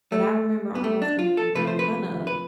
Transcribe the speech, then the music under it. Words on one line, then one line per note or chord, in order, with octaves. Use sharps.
but I remember almost being made fun of
A3
B3
A3
D4
F4
A4
C3 F3 A3 B4
C5
B4
B4